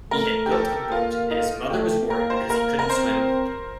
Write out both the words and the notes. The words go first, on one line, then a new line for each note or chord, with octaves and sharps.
He had built a boat, and his mother was worried because he couldn't swim.
A3 A#4
G4
A4
A#3 F4
D#4
A3 G4
A#3 A#4
C5
A#3 A#4
A#4
C4 C5